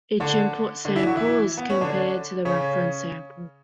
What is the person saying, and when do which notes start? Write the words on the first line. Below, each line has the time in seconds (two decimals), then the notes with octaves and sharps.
Each input sample is compared to the reference sample.
0.20 D3 D4
0.85 D3 D4
0.95 E3 E4
1.06 F#3 F#4
1.17 E3 E4
1.58 B3
1.70 C#4
1.81 D3 D4
2.45 C#3 C#4